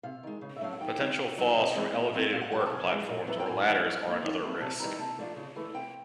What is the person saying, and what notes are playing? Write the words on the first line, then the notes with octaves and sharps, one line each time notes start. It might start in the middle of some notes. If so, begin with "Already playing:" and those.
Potential falls from elevated work platforms or ladders are another risk.
C3 F5
D#3 G#3
C#3
E5
F#3 A3 C#4 F5
F#5
D#3 G5
G3 C4 D#4
C3
D#3 F#3
C3 D#5
E3 G#3 C4
A#2
F#3 A3 C4 D#4
A#2 F5
F#5
G3 B3 F#5
G5
A5
C3 G#5
E3 G#3
A#2
F#3 B3 E4
G5
A2 G#5
E3 G#3 C#4
F#3
A#3 D#4
D#3
F#3 A3 C4 E4
C3 A5
D#3 G3 B3 E4 A#5
C3 A5
F3 A3 D4 F4
C#3
E3 A3
C3 G5